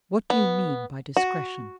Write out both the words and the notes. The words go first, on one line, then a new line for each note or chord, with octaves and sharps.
"What do you mean by discretion?"
B3
F#4